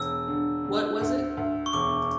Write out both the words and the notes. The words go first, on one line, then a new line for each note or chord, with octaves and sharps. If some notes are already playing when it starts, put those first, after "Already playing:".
What was it?
Already playing: E1 E6
D3
D3
D2
D2
C#6
E1 D6